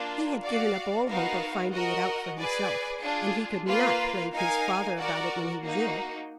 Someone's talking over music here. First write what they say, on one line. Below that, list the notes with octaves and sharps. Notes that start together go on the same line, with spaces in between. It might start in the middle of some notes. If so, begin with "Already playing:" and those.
He had given up all hope of finding it out for himself, and he could not plague his father about it when he was ill.
Already playing: A#3 D4 F4
F#4 D5 F5
B3 D#4 F#4 A#4 F5
F#4 A#4 D#5
G#4 B4 D5 G#5
D4 F4 G#4
A#3 F4 B4 F5
D#4 A#4 F5 G#5
F#4 A#4 D5 F#5
A#3 D#4 F#4